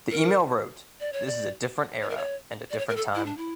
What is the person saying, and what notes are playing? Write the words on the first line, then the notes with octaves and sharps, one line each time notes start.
The email wrote, This is a different era and a different time.
A#4
D5
C#5
D5
C#5
A#4
C#5
D5
C#5
A#4
A4
E4
D4
E4